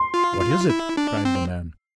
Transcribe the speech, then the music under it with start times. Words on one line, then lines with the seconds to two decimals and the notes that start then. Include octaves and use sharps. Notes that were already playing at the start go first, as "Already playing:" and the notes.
"What is it?" cried the men.
Already playing: C6
0.14 F4
0.41 F4
0.70 E4
0.97 D4
1.25 C4